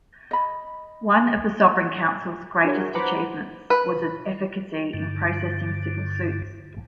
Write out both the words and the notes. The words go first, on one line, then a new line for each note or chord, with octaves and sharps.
One of the Sovereign Council's greatest achievements was its efficacy in processing civil suits.
D#5 B5
D4 F#4 G#4 A#4 C#5
B4 C5 F#5 A#5 B5 D6
B4
G2 D3